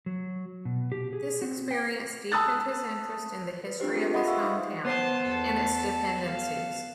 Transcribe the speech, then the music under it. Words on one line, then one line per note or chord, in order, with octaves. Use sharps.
This experience deepened his interest in the history of his hometown and its dependencies.
F#3
B2
G4
G#4
C4
G5
A5 D#6 E6 F#6 A6
B4
C4 D4 F4 G4 C5
F4 G#4 A4 C5
D#5 E5 F#5 B5 C6 D#6
C5 D#5 F5 F#5 C#6 E6
D#4
B3 C5 A5 C6
E2 A4 A5
A4 F5